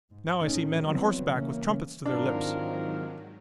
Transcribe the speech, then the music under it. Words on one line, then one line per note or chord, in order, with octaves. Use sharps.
Now I see men on horseback with trumpets to their lips.
G#2
A1 D#3 A3 C#4
E3 F#3 G3 B3 C4
C#3 E3 A#3 C#4
G#2 D#3 F#3 C4 D4 F4 A#4